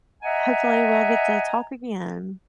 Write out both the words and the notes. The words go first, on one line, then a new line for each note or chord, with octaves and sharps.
hopefully, we'll get to talk again.
D#5 E5 F#5 G#5 A#5